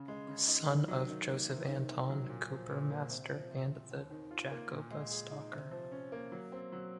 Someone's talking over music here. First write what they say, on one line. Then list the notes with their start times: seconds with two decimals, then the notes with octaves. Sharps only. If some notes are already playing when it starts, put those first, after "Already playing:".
Son of Joseph Anton, cooper master, and the Jakobea Stocker.
Already playing: C#3
0.08 G#3
0.28 C#3
0.48 D#4
0.68 D#3
0.88 F#3
1.08 D#3
1.29 A#3
1.49 C3
1.69 D#3
1.89 C3
2.09 F#3
2.29 A#2
2.50 F3
2.70 A#2
2.90 A#3
3.10 C3
3.30 F3
3.50 C3
3.70 C4
3.91 D#2
4.11 D#3
4.31 F4
4.51 A#3
4.71 A#2
4.91 G#3
5.11 G#4
5.31 D#4
5.51 C3
5.71 F3
5.92 C#4
6.12 A#3
6.32 F#3
6.52 C4
6.72 F#3